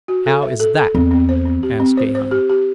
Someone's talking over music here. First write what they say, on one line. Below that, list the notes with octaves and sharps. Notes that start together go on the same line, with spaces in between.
"How is that?" asked Gahan.
F#4
A4
E5
A4
A4
E2 C4
C4
C5
C4
G4
C4
C5
C5
G4
G4